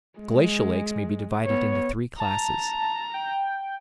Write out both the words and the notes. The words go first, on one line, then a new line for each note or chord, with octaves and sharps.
Glacial lakes may be divided into three classes.
G#3
B3 C#5
A5 A#5
G5